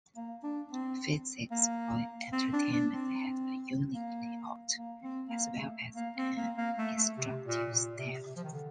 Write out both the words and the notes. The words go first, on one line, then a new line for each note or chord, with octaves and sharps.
"Physics for Entertainment" had a unique layout as well as an instructive style.
A#3
D4
C4
A#3
C4
D4
D4
C4
A#3
A#3
C4
A#3
A3
A#3
C4
A#3
A#3
A3
A3
C3
A#2
A#2
C3
C3
F3
D#3
D3